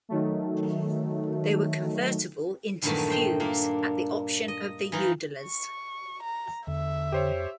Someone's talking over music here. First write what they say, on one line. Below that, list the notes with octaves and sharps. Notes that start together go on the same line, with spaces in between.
They were convertible into feus at the option of the udallers.
D#3 F#3 A3
E2 G2 A#2 D#3 F#3 A3
C5 G5
A#2 A#3 D4
D#5
E3 D#4 F4
C#6
A#5
E2 D3 E5
F2 G4 C5 C#5